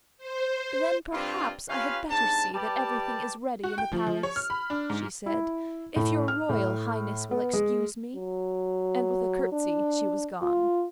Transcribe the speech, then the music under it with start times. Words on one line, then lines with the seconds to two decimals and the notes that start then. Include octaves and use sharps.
"Then perhaps I had better see that everything is ready in the Palace," she said, "if your Royal Highness will excuse me." And with a curtsey she was gone.
0.18 C5
1.13 G2 C4 F4
1.69 C#4 F4 G4 B4 F5
2.10 G#2 C3 D4 A5
2.54 G3 G4 B4 D5 A5
3.63 F#4
3.78 G5
3.92 F3
4.07 F3
4.23 C#5
4.36 F6
4.50 B5
4.70 D4
4.90 G#2
5.26 E4
5.96 A2
6.28 F6
6.49 A2
7.31 B3
7.53 G#3
8.15 F#3
9.52 D4
10.42 F4